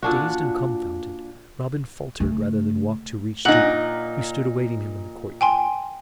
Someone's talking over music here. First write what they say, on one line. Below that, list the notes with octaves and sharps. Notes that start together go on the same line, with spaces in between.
Dazed and confounded, Robin faltered rather than walked to reach Stuteley, who stood awaiting him in the courtyard.
A#2 D4 F#4
C#3 A3
A#2 D#4 F#5 F#6 F#7
G5 G#5 C6